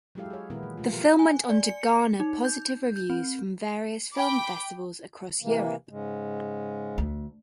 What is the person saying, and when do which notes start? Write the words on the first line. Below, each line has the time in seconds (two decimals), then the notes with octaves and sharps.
The film went on to garner positive reviews from various film festivals across Europe.
0.15 F#3 G#3 E4 G4 A4 F5
0.30 G#4 C#5
0.50 A#2 D#3 G#3 B3 E4 A#4
0.63 E3
0.78 B2 A3 A#3 F4
0.90 F3 A#3 G4 A#4 B4
1.19 G#5
1.50 D5
1.67 C#7
2.20 D#4
2.45 G6
2.96 G6
3.10 C4
4.14 G5 B5 D6
5.42 C3 E3 A#3
5.89 G#2 C#3 G#3
6.98 D2